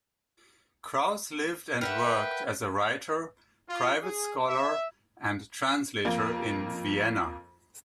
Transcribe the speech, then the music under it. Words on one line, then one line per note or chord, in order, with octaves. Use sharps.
Krauss lived and worked as a writer, private scholar, and translator in Vienna.
A#4 B4 E5 F#5 G5
F4
G#4
E5
F2 A#3